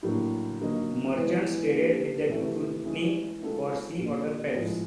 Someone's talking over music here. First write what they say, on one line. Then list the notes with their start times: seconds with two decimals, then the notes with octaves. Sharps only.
Merchants traded with the Tututni for sea otter pelts.
0.03 A2 F#3 A#3 D4
0.60 D3 F#3 A#3 D#4
1.15 E3 G#3 B3
1.72 A#3 D4 G4
2.29 C3 E3 A3 C#4 F#4
2.85 E3 G#3 C#4 E4 G#4
3.41 D#3 G#3 C#4 F4 A4
3.98 A#2 G3 A#3 D4
4.55 A2 F3 G#3